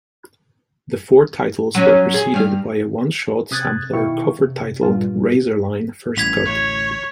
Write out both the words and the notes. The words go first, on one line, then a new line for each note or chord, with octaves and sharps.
The four titles were preceded by a one-shot sampler cover-titled: "Razorline: First Cut".
F#3 C#4
G#4
G2 F5
C3 D#6 F#6 G#6 A6
B2 D#3 E4 F5 G5 C#6
C3
G2 A#2 F4
A1 G2 G#6 B6 F7
A1 D2 C#5